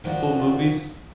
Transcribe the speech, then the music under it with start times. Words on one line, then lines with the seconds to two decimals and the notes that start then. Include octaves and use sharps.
Cool movies?
0.04 D#3 F3 D4 F4 F#4